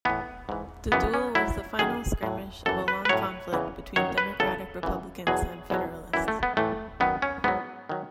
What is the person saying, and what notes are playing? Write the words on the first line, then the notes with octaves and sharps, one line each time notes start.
The duel was the final skirmish of a long conflict between Democratic-Republicans and Federalists.
A2 E3 B3
G#2 E3
F#2 C#3 E3 B3
C#4
G#2 F#3 E4
F#2 D#3 F#3 G#4
A2 F#3
F#2 E3 A4
B4
B4
A2 F#3 C#5
E2 C#3 E3
F#2 D#3 F#3 C#5
B4
E2 C#3 F#3 A4
F#2 C#3 E3
E2 B2 F#3 G#4
E2 B2 F#3
F#2 E3 E4
A3
B3
A2 E3 A3
F#2 D#3 F#3 B3
C#4
G#2 F#3 B3
D#3 F#3